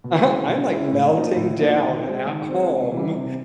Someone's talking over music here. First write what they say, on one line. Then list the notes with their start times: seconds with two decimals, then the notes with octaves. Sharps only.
aha, I'm, like, melting down at home,
0.04 B2
0.25 G#3 C#4 E4
0.48 B2
0.70 G#3 C#4 E4
0.92 A2
1.14 F3 A#3 D#4 F#4
1.36 A2
1.59 F3 A#3 D#4 F#4
1.82 D#3
2.03 C4
2.08 G#3
2.26 D#3
2.48 G#3 C4
2.70 C3
2.92 E3
2.97 G3
3.15 C3